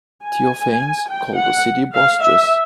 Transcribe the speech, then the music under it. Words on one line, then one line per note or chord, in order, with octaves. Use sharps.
Theophanes called the city Bostrys.
G#5
G5
F#5
F5
E5